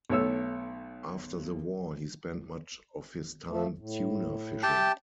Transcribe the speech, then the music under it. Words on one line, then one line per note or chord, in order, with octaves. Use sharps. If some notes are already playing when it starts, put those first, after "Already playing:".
After the war he spent much of his time tuna fishing.
B1 A3 C#5 E6
F3 A3
A2
G4 E5 G5 A5